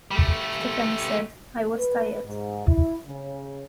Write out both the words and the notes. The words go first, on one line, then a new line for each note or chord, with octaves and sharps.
Stefani said, I was tired.
G3 A3
B4
G#2
E4
C#3